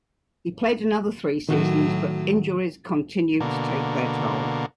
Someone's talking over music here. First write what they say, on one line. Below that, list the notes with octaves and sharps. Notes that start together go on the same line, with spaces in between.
He played another three seasons, but injuries continued to take their toll.
A2 D#3 F#3 F#4
B2 D3 A#3